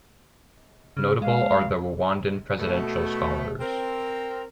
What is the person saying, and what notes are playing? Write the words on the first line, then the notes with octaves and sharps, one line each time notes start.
Notable are the Rwandan Presidential Scholars.
C#3 F6
G#3 F5
B2 A3
C4 A#4